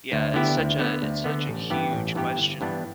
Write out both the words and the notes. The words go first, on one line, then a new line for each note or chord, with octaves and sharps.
Yeah, it's such a it's such a huge question,
D2
D3 B3 E4 G4
D2
D3 B3
D2
D3 B3
A1
G2 E3 B3 G4
A1
G2 E3 B3 G4
G1
G2 E3 B3 D4